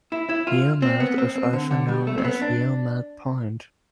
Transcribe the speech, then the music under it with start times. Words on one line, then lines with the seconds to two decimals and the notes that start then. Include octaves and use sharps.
Yeomalt is also known as Yeomalt Point.
0.12 E4
0.29 E4
0.47 F4
0.82 C4
1.00 B3
1.18 C4
1.36 C4
1.53 D3
1.71 D3
1.88 G3
2.07 A3
2.18 C4
2.25 B3
2.42 D4